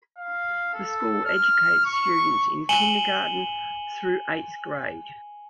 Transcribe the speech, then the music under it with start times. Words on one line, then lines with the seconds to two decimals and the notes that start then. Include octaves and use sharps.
The school educates students in kindergarten through eighth grade.
0.18 F5
0.74 A4
1.25 F6
1.86 C#6
2.69 G#5 C#7 D#7 E7 F#7 G7